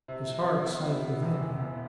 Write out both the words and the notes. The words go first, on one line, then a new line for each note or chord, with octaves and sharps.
His heart sank within him.
C3
C3
F3
B3
C3
B3
E1
E2
E1